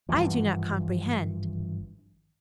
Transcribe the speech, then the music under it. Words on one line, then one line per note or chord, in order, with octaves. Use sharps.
'I do not complehend!'
G#1 G2 E3 F3